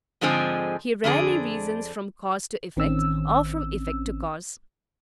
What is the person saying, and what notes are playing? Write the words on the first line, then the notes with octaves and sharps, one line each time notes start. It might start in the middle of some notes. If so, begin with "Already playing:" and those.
He rarely reasons from cause to effect, or from effect to cause.
G#2 D3 F3 G#3 C4 G#4
F2 D3 D4 G#4
A1 D#3 C4 C#4 E6